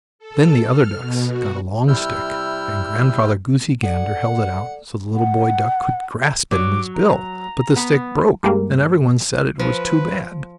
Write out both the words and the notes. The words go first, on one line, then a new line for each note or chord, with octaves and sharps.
Then the other ducks got a long stick and Grandfather Goosey-Gander held it out, so the little boy duck could grasp it in his bill, but the stick broke, and every one said it was too bad!
A4
F6
B2
F#4
C3 G3 E4 E6 F6 G6
A4 D5 F#5
F#5
F#3 D6
A#5
B3
G2 G3 G#3 A#3
F3 B4